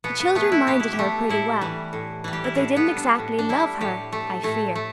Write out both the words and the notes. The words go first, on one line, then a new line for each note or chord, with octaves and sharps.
The children minded her pretty well, but they didn't exactly love her, I fear.
B2 B3
B3
A3 B3
E4
B2 G4
E4
G4
A3
A2 E4
E3 G3
A2
E3 G3
G4
E4
A2 D4
B3
G3
D4
A2
D4
G3 E4
A2 G4
A3
A2 A3
A3